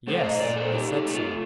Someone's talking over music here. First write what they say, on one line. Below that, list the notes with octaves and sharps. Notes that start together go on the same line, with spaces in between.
"Yes, I said so."
A3 A4 C5
F5
C5 D#5
A#2 A#4 D5
A4 C5
D#4 G4 A#4
A4
G4
A3
F4